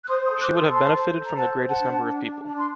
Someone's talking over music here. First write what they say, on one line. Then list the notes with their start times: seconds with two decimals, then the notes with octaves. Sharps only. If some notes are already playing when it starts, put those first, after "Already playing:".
She would have benefited from the greatest number of people.
0.03 F#6
0.08 C5 C6 D#6
0.25 C6 D#6
0.30 A4
0.40 D6 F#6
0.51 A4
0.56 C6 D#6
0.72 C5 A5 C6
0.94 C5
1.15 A4
1.25 A#5
1.36 C5 F#5 A5
1.58 C5
1.68 F#5 A5
1.79 D4
2.01 D4
2.21 D4
2.43 D4
2.56 C6